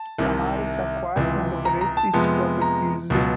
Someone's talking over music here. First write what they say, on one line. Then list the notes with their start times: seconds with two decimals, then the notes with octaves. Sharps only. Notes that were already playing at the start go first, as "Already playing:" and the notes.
Tamares acquires and operates its properties.
Already playing: A5
0.18 C2 C3 D#3
1.16 C#2 C3 E3
1.65 A#5
1.81 A#5
1.97 A5
2.13 F2 C3 F3 G#3 B3
2.62 A#5
3.10 C#2 B2 F#3